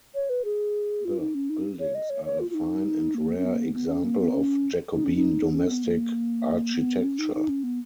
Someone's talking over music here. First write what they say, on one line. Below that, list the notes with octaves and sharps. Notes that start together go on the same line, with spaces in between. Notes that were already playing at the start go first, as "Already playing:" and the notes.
The buildings are a fine and rare example of Jacobean domestic architecture.
C#5
B4
G#4
F4
D#4
C#4
D#4
C#5
D#5
C#5
C#5
F4
F4
D#4
A#3
C#4
B3
A#3
B3
B3
C#4
A#3
B3
C#4
D#4
C#4
D#4
C#4
B3
A#3
B3
C#4
D#4
D#4
C#4
B3